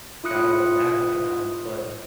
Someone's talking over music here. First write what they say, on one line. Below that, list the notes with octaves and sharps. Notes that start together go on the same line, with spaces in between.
got it, like, that right now." But,
E4 F4 D#6 F#6 C#7